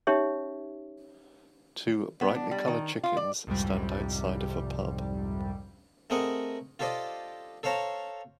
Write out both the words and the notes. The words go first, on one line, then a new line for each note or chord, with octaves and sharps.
Two brightly colored chickens stand outside of a pub.
C#4 D#4 G4 C#5 E5
B3
D4
G3
D#3
F4
D5
C2 F2 G#2 C3 G3
A3 C4 G#4 A#4 D#5 F#5
F4 G4 A4 C5 D5 D#5
A4 C5 C#5 F5 A5 A#5